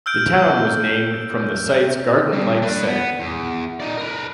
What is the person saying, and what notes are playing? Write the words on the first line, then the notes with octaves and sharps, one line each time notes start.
The town was named from the site's garden-like setting.
E6 F6 G6 D7
G2
D4 B4
B3
E2
D#4 D5
A#4 B4